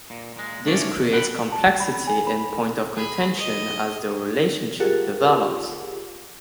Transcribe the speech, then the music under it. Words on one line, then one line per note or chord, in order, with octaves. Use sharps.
This creates complexity and point of contention as their relationship develops.
A#2
A#2 G#3
F#2 C#3 A3 C#4 C#5 D5
C3
D3 F#5 G5 B5
A5
B5
G#5
B5
G#4 B5
D#5
F4 G4 G#4 A#4 F#5 A5